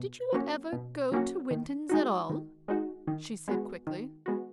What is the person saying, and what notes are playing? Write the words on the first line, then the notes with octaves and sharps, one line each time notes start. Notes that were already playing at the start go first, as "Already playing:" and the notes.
"Did you ever go to Winton's at all?" she said, quickly.
Already playing: B2
F#3 A#3 C#4 F#4
B2
F#3 A#3 C#4 F#4
D#3
G#3 D#4 F#4
D#3
G#3 D#4 F#4
D#3
G#3 B3 F#4
D#3
G#3 B3 F#4